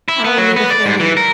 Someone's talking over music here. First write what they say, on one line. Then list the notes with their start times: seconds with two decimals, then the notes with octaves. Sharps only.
I will need a filling.
0.09 E4
0.25 B3
0.38 F#3
0.56 B3
0.70 D5
0.86 G#2
1.00 E3
1.17 A#4